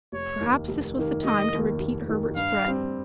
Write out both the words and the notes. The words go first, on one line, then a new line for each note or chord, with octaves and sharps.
Perhaps this was the time to repeat Herbert's threat.
F1 C#5
D#2 D#3 A#3
F1
D#2 D#3 A#3
F1 D#5
D#2 D#3 A#3
F1
D#2 D#3 A#3
G2 F5
G3 C4